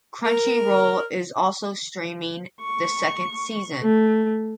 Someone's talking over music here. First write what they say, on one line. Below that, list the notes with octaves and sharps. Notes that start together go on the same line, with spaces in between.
Crunchyroll is also streaming the second season.
A#4
C#6
A3